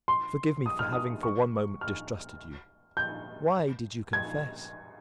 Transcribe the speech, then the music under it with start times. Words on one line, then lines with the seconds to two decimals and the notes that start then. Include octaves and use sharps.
Forgive me for having for one moment distrusted you. Why did you confess?
0.08 C6
0.66 D#6
0.79 F6
0.93 D#6
1.23 C#6
1.81 F6
2.97 G6
4.13 G#6